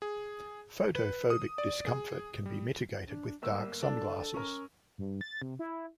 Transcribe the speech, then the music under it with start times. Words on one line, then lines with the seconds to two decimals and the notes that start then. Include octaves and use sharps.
Photophobic discomfort can be mitigated with dark sunglasses.
0.02 G#4
0.95 B4
1.30 D#6
1.58 D5
1.87 G#4
2.46 G3
3.08 D4
3.42 G1 G3 A#3 E6
3.82 D4 A4
4.34 C#4 A#4
4.98 G2
5.21 A6
5.42 C3
5.59 E4